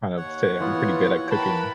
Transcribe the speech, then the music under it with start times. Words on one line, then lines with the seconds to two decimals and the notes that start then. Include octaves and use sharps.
kind of say I'm pretty good at cooking,
0.17 D#2 C#5 F#5
0.61 E3 B3 F4
1.31 A#4 B4 G5 A5 B5